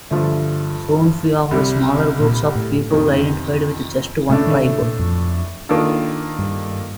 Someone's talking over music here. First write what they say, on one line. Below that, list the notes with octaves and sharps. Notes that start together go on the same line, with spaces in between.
Soon few of the smaller groups of people identified with just one tribe.
G2 D3 F3 A3
C2 C3 G3
A#2
A2
F2 C3 D#3
A2 C3 A3 D4
D#3
C3
A#2
F2
D#3 A#3 D4 F4 A4
G2